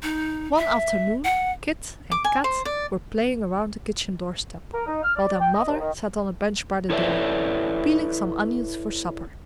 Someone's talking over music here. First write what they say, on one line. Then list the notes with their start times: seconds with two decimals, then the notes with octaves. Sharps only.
One afternoon Kit and Kat were playing around the kitchen doorstep, while their Mother sat on a bench by the door, peeling some onions for supper.
0.03 D#4
0.58 E5
1.25 F#5
2.12 D6
2.24 G#5
2.44 C5
2.65 D5
4.73 A#4
4.86 D#4
5.03 F6
5.16 D5
5.40 G5
5.54 D#5
5.68 D#2
5.80 D#3
6.90 E4 A4 B4 C#5 D5 E5